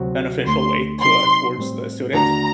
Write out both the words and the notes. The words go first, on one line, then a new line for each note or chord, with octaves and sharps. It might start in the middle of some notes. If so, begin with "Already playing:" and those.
beneficial way to, uh towards the student
Already playing: D2 C3 F#3 C4 F#4
D2 D3 A3 C6
C3 F#3 C4 D#4 C6
A2 G3 C4
D#2 D3 A3 D4 F#4 A#5